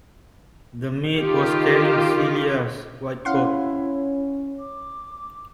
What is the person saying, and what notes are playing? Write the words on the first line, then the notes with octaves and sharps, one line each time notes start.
The maid was carrying Celia's white coat.
D#3 F4 G4
C#4 E4 F5 F#5 C6
D6